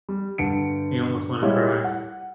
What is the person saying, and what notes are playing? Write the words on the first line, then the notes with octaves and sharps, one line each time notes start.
me almost wanna cry.
G3
G2 D3 C#7 D7
G3 G#3 E4 G4 C#5 F5
F#5